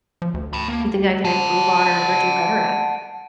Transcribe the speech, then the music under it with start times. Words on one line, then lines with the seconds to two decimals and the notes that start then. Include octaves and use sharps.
you think I can improve on or or do better at?"
0.22 F3
0.34 D2
0.53 A5 B5
0.68 A#3
1.25 F#5 A5